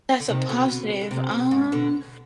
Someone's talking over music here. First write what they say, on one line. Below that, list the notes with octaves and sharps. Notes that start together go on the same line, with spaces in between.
That's a positive. Um
D3
C3 D#3
B2 D3
D3
C3
B2
G#2
B2 D3